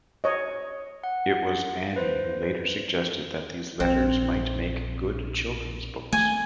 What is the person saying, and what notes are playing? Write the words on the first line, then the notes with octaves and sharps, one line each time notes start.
It was Annie who later suggested that these letters might make good children's books.
C#5 D#5
F#5
B4 C5
A#1 C4
A3 G#5